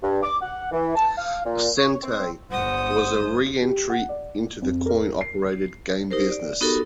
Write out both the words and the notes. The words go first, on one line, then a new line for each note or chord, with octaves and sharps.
Sente was a reentry into the coin-operated game business.
G2
D6
F#5
E3
A5
F5
A#2
C#5
C4
G1 C5 F#5 D#6
G4
F#5
D5
F2
A#4
C7
D#4 G4 A#4 C5
D5
B3 D#4 F#4 G4 A4 A#4